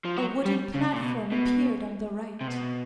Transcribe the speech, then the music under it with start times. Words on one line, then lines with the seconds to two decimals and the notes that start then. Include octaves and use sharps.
A wooden platform appeared on the right.
0.05 F3
0.16 F#3
0.45 G3
0.74 C#3
0.93 A#2
1.03 B2
1.32 B2
2.41 C3
2.48 B2